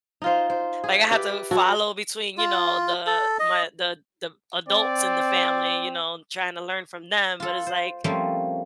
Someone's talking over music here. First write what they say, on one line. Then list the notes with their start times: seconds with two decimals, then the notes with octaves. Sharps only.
Like, I had to follow between, you know, the my the the adults in the family, you know, trying to learn from them, but it's like
0.22 D#4 F4 C5
0.50 C5
0.84 G#4
1.11 G4 B4 D5 E5
1.51 F#3 F#4 A4
2.38 F4
3.07 A4
3.39 D#5
4.69 C4 D5
7.40 F4 A4
7.67 C5
8.04 F3 G3 A3 A#3 C4 C#4